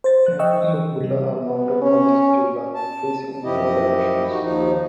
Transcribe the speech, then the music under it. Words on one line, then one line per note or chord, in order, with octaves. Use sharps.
Statues of Buddha are mounted on the stupa, facing in four directions.
C5 A6
F3 F#6
D#5 G5 C#6 E6
E3
C3 G3
B3
C#4
A5
F#2 F3 E4 G4 D#5
D#4 F#4
D#2 F3 D#4